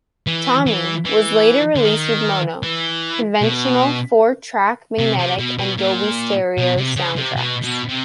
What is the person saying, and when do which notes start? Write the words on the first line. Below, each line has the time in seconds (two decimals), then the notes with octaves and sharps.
"Tommy" was later released with mono, conventional four-track magnetic and Dolby Stereo soundtracks.
0.27 E3
0.66 E3
1.05 E3
1.76 D3
1.85 D#3
2.63 E3
3.42 B2
4.99 C3
5.20 C3
5.39 B2
5.59 B2
5.78 A#2
6.58 B2
6.77 C3
6.96 C#3
7.16 C3
7.36 B2
7.62 B2
7.89 C3